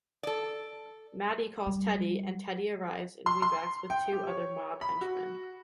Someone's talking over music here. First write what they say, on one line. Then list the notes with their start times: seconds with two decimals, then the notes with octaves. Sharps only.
Matty calls Teddy and Teddy arrives in Wibaux with two other mob henchmen.
0.23 A4 D5
1.66 G3
3.26 C6
3.42 C6
3.90 G5
4.12 G4
4.27 C#5
4.81 B5
5.01 F#4